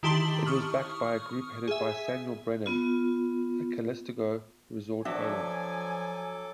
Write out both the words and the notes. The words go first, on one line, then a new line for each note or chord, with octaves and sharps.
It was backed by a group headed by Samuel Brannan, a Calistoga resort owner.
D#3 E4 G4 A5 C6 F#7
C#6 D#6 F6
G#4 E5
B3 F4
F3 F#3 D4 F#4 A4 E5 G#5 D6